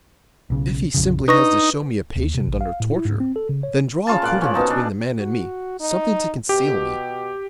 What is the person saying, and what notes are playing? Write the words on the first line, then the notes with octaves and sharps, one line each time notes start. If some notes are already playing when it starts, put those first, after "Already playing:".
If he simply has to show me a patient under torture, then draw a curtain between the man and me, something to conceal me.
B1 C#3
A#1 F2 C#3
D4 D#4 B4 C#6 A#6
D#2
C3
A1
F5
A2
E4
G#2
C4
A4
C#3
C#5
C#3 F4 A5
A#2 F#5 D6
F3 C#4
B2 D#4 A5
D4
F#4
D#4
B2 G4